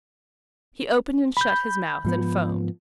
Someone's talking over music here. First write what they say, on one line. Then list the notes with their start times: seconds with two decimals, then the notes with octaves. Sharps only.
He opened and shut his mouth and foamed.
1.37 B5 G6
2.05 G#2 F3 B3